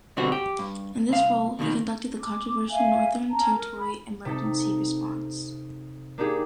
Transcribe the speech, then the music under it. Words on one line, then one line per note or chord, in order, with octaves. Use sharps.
In this role, he conducted the controversial Northern Territory Emergency Response.
B2 D3 G3 B3 C4 F#4
G4
G2
C2 F5
D#2 B2 D3 D#3
D6
E5 F5 G#5
C#4 A5 A#5
A#4
B5
C3 D#4 A4
A#3 D4 D#4 G4 G#4